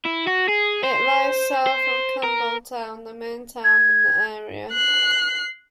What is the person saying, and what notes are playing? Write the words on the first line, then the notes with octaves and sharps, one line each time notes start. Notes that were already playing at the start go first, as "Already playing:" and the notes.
It lies south of Campbeltown, the main town in the area.
E4
F#4
G#4
C5
C5
A#4
G#6
F#6 C7